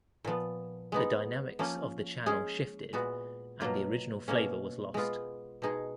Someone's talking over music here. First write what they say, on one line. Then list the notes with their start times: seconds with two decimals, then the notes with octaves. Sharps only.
The dynamics of the channel shifted and the original flavor was lost.
0.25 A#2 F3 B3
0.92 G#3 B3 D#4
1.59 F3 A#3 C#4
2.26 G#3 C#4 G#4
2.93 A#2 G#3 B3 F#4
3.60 B2 F#3 A#3 F4
4.28 B2 A#3 C#4
4.94 G#3 B3 F4
5.62 B2 G#3 D#4 G#4